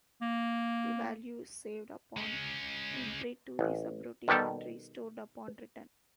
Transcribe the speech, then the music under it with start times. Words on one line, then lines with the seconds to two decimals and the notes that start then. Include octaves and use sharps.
The value is saved upon entry to the subroutine and restored upon return.
0.21 A#3
2.17 G#3 C#4
3.59 A1
4.28 B2 D#3 G3 G4 A4